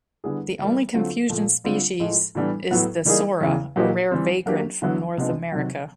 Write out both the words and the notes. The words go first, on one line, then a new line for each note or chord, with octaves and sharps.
The only confusion species is the sora, a rare vagrant from North America.
D3 G3 B3 E4 G#4
E3 G3 A#3
D3 F#3 A3 C4 F4
A#2 F3 A3
D3 G3 C4 F4
A2 F3 G#3
A2 E3 G3 B3 D4
A2 F#3 B3 E4
E3 G3 A#3 D#4 G#4
E2 C#3 E3
A#2 F#3 A#3 D#4 G4
E3 G3 C4
F#3 A#3 D4 G4
D3 F#3 B3 E4
C3 F3 G#3 B3 D4
C3 D#3 F#3